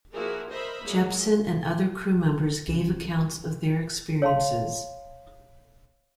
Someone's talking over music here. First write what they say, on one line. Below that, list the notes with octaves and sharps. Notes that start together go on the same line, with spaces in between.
Jeppson and other crew members gave accounts of their experiences.
F3 A#3 E4 F#4 G#4 A#4
A#4 C5 D#5 E5 B5
F#3 G#3 A#3
C2 C#3 E3
C#5 F5 A5 C6